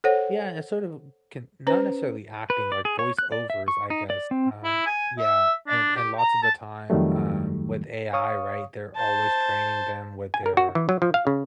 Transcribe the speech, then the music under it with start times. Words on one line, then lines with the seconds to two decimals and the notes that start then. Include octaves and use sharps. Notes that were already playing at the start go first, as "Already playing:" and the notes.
Yeah, and sort of, can not necessarily acting like voiceovers, I guess, um, yeah, and and lots of the time, um, with AI, right, they're always training them with their
0.04 A4 C5 C#5 F#5
1.67 C#4 B4 C5 A#5
2.50 B4
2.72 D5
2.85 G#4
2.99 C#5
3.19 F#6
3.32 D5
3.50 E5
3.68 C#6
3.90 D#4
4.10 D5
4.31 C4
4.64 E4
4.86 G#5
5.18 E5
5.67 D4
5.96 G4
6.18 A#5
6.43 A5
6.90 F2 D#3 F#3 G3 A3
8.13 C#5 F5 C#6 D#6
8.96 C5 A5
10.34 G#5
10.46 A#4
10.57 F#4
10.75 E3
10.89 F#3
11.02 F3
11.14 F5
11.27 C#3